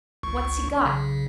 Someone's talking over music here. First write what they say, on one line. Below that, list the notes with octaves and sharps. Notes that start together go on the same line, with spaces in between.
What's he got?
G#1 C#2 C#6
B1 C#3